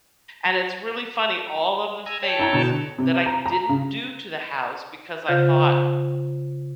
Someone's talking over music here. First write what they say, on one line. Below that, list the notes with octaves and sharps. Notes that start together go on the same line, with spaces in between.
And it's really funny, all of the things that I didn't do to the house because I thought,
G#5 A#5 E6
C#5 G5 A5
E4 A#5 G#6
B2 D3
C3
A#5
A#5
C#3
C#3 F4 C5 F5 F6 G6